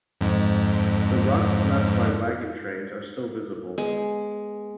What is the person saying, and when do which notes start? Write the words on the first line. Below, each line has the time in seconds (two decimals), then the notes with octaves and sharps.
The ruts left by wagon trains are still visible.
0.21 F2 G#2
3.78 G#3 B3